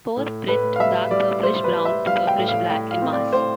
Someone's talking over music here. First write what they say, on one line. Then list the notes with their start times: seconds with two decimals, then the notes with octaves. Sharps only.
Spore-print dark purplish brown to purplish black in mass.
0.17 A2
0.47 A2 B4
0.76 F5
0.79 G3 E5
1.11 G3 D5
1.43 G3 C5
1.64 B4
1.74 G3
1.85 E5
2.07 G3 F5
2.27 G5
2.38 A2
2.48 F5
2.69 A2 G5
2.91 F5
3.02 C4
3.13 D5
3.33 A2 C5